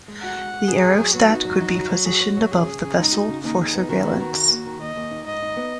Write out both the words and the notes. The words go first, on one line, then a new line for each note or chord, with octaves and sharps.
The aerostat could be positioned above the vessel for surveillance.
G#3
F#4 F#5
G#3
F#4
B3 G#4
F#3
F#3
B3 F#4
D#4
F#3
D#4
F#3
F#3
F#4 G#4
C#5
F#3
C#4 G#4
C#3
C#3
G#3 D#4
F#4
C#3
D#2 D#4
G#4
B3
D#3 F#4
B3
D#3
D#4
D#2
D#3
D#2 D#5
D#2
D#4
G#2 D#5
D#4
B3